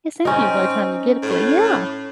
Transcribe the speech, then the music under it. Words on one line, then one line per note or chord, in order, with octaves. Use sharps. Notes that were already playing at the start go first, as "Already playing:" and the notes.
It's empty by time you get up there. Yeah.
C4 C#4 D#4
A2